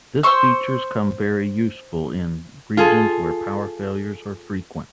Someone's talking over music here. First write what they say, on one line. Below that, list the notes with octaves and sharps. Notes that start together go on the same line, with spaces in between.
This features come very useful in regions where power failures are frequent.
C5 C6 C#6 E6
F4 G#4 A4